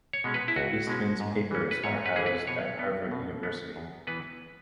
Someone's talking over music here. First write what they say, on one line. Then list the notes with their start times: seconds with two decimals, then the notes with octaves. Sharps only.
Eastman's papers are housed at Harvard University.
0.13 C#5
0.24 B2 G#3 C#4
0.34 B4
0.48 E4
0.56 C#2 F#4
0.87 B2 G#3 C#4
1.20 G#2
1.51 E3 C#4
1.71 B4
1.84 G#2 C#5
2.06 B4
2.16 E3 C#4 G#4
2.26 B4
2.47 B2 C#5
2.79 B3
3.11 B2
3.43 B3
3.76 E2
4.07 E3 B3 B4